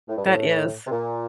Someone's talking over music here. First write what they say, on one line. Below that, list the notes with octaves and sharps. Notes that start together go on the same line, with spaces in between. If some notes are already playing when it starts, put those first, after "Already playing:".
That is.
A2
G2
A2
C3
A#2